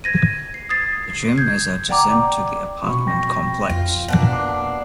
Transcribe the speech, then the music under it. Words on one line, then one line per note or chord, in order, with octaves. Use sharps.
The gym is adjacent to the apartment complex.
G#6 A#6 D#7
C7
D#6 G#6 A6 C7
G6 G#6
D5 F#5 G5 A#5 D6
B2 F3 C4 F#4 B5 C#6
G5 A#6
F2 F4
B2 A#3 D4
D6 C7